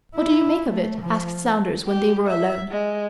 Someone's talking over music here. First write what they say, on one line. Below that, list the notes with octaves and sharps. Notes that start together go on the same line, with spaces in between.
"What do you make of it?" asked Saunders when they were alone.
E4
A3
F3
G4
E5
G#3